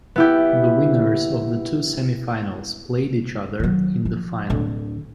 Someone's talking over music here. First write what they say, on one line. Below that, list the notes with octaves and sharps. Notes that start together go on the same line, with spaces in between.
The winners of the two semi-finals played each other in the Final.
B3 E4 G4
D#3 F#3
F3
D1 D3